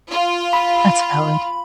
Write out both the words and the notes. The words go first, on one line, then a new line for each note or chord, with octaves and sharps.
That's valid.
F4
B5